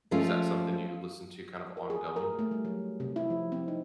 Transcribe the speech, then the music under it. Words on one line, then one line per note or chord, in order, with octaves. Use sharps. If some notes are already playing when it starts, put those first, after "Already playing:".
is that something you listen to kind of ongoing?
F3 G#3 A3 C#4 F4
A#4
G#4
A#4
A3
G3
F#3
C3
E4
F3
C4
D#4